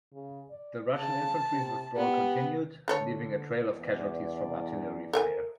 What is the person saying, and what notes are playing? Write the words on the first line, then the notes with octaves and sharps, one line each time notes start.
The Russian infantry's withdrawal continued, leaving a trail of casualties from artillery fire.
C#3
D5
C#3 A5
C3
B3 G4
D3 A3 A4 C#5
E2 D5
A4 A#4 E5 G#5